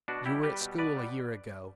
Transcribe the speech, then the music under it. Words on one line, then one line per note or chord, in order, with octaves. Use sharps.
You were at school a year ago.
B2 D4 F#4
G3 E4 G4
G3 G4 B4
B2
B2 B4 D5
G3